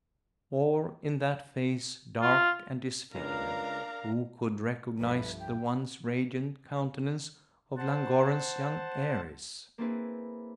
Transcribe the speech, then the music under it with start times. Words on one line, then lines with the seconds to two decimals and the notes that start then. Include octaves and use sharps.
Or in that face, dark and disfigured, who could recognise the once radiant countenance of Llangorren's young heiress?
2.21 F4
3.15 C#2 D4 A#4 F5 A#5
5.00 C2 G2 F3 A3 B4
5.40 G5
7.77 C5 F#5 A5
9.78 A#3 C4 D4 E4 G#4 B4